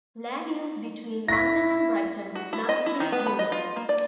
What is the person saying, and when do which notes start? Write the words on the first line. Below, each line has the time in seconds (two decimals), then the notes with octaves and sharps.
Land use between London and Brighton was largely rural.
1.28 E4 A#6 B6
2.35 F#4
2.53 E4
2.69 D#5
2.86 E4
3.00 D#3
3.12 B3
3.26 B5
3.39 D#5
3.52 F4
3.76 A#3
3.89 D5